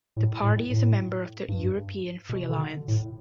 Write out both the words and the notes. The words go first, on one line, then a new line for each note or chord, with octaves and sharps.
The party is a member of the European Free Alliance.
A2
A2
A2
G2
B2
D3
A2